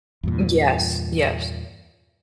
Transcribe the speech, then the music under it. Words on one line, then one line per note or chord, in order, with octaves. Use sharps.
Yes, yes.
E2 G2 A#2